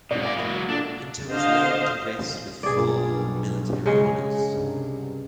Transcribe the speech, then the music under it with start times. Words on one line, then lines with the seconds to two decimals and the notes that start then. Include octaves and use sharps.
Pinto was laid to rest with full military honours.
0.11 D#2 G#2 B2 D5
0.23 E3 D5 E5 F5 A#6
0.37 F#3 G#3 A#3 E4
0.54 F#4
0.69 A#2 D4 A4 D5
1.29 D3 C5 D#5 F5
2.63 B1 G2 G#4 D5
3.86 C#3 G#3
4.48 C2 G2